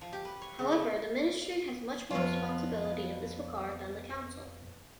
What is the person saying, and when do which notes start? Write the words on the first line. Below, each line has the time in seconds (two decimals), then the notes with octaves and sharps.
However, the ministry has much more responsibility in this regard than the council.
0.01 F3
0.13 G4
0.25 B4
0.42 C#5
0.59 C#3
0.72 A3
2.11 F2 B3 F4